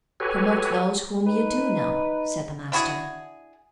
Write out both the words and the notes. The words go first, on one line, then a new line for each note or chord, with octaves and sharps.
"Promote those whom you do know," said the Master.
F#4 G4 A4 B4 C#5 G#5
D#4 B4
D4 E4 F#4 G#4